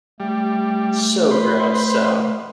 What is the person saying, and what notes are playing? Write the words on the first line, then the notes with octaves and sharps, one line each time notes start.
So gross, so
G3 A3
B4 C5